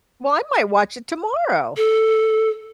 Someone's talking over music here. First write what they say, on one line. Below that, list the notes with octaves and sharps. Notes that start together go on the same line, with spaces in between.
Well, I might watch it tomorrow.
A4